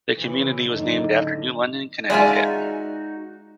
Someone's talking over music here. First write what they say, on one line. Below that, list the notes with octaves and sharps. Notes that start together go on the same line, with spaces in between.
The community was named after New London, Connecticut.
C#3 E3
F#1 A2 D3 D#4
G#3 D#4 F4 F#4 D5 E5 G#5